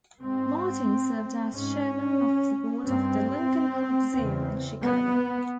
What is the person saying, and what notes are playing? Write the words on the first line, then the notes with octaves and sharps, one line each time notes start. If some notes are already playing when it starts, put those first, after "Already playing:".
Martin served as Chairman of the Board of the Lincoln Park Zoo in Chicago.
G#2 C4
G#2 C#4
G2 C4
E2 C#3
B3